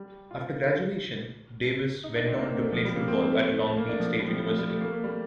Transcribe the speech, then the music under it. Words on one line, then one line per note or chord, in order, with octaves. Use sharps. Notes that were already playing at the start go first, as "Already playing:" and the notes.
After graduation, Davis went on to play football at Long Beach State University.
Already playing: G3
F4
D#4
D4
C4
A#3
A#3
A3
F3
G3
A#3
C4
A#3
A3
A3
A3
A#3
D4
F3
A3
G3
F3
G3
F3
G3
A3
A#3
A3
G3